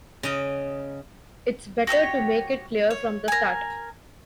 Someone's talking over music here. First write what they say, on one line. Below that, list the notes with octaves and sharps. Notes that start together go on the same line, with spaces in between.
It's better to make it clear from the start.
C#3 D#5
F#4 G4 A4 C#5
C#5
A#4 G#5